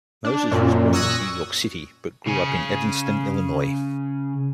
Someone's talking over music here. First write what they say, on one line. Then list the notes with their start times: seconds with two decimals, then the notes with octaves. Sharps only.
Moses was born in New York City but grew up in Evanston, Illinois.
0.25 D4
0.51 F#2 A#2
0.93 C#6 D#6 E6 F#6 G#6 A#6
2.26 C#3 G#4